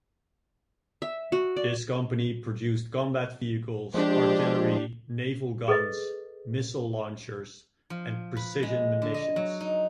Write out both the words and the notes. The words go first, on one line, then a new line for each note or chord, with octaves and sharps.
This company produced combat vehicles, artillery, naval guns, missile launchers and precision munitions.
E5
F#4
D5
F3 G#3 D4 G4
G#4 A4 B4 D#5
F3
B4
G#3
D3
D#5
F#3
D#4